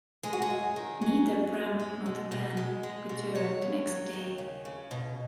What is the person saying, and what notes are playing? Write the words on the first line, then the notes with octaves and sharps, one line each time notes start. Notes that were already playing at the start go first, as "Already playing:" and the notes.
Neither Bram nor the van return the next day.
G#3 G#4
F#4
G#4
F#2
D#3
F#3
F#2
F#2
G#3
B2
B2
G#3
G#3
B2
D#2 C#5
D#2
F#3
D#2
C#3
C#3
B2